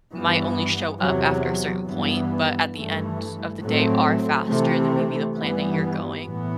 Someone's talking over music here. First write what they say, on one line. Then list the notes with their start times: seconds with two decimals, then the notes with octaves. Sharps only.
might only show up after a certain point, but at the end of the day are faster than maybe the plan that you're going.
0.12 G2 E3 B3
0.99 E2 C3 F#3
1.86 G2 E3 B3
2.74 G2 E3 A3
3.61 A2 F#3 A3 C4
4.48 C3 E3 A3 C4
5.35 G2 E3 G3 B3
6.23 A2 E3 B3